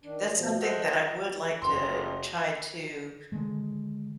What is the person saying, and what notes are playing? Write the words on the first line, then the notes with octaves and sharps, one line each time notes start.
that's something that I would like to try to
D#3 D4
B2 F3
A4 C5 D#5 E5 F#5
D#5 E5
F#1 C6
D3 D#3 G#3